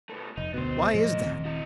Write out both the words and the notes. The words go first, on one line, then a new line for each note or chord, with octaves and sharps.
Why is that?
B2 A3
F1 D#4
D2 B2 B3 C5
F#2 A2 F3 A3 D#5
D#1 D#3 C4
E4 D#5